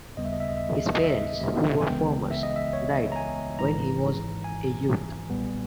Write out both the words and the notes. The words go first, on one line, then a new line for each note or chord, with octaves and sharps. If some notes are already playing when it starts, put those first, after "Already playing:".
His parents, who were farmers, died when he was a youth.
D#2 C#3 G3 B3 D#5
E5
D#5
E5
D#5
E5
D#5
D#5
E5
G#5
C#2 C#3 E3 G#3 B3 G5
E5
D#5
E5
C#5
A#5
G#5
G#1 G#2 E3 A#5
G#5
B1 A#2 G3 B3